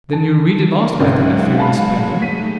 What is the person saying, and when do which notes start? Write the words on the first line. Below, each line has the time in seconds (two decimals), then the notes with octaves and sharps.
"Then you really lost by that affair in Spain?"
0.13 A5
0.62 C#3 D4 A#4
0.99 G#1 C#2 C3 F#3 G#3 F#4
1.58 F5 A5 B5
2.22 A3 D#4 G4 B6 D#7